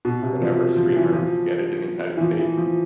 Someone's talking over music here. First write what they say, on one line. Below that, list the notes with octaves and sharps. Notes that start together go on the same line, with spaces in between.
whatever streamer to get it in the United States,
B2
C3
F3
F3
E3
F3
E3
F3
E3
F3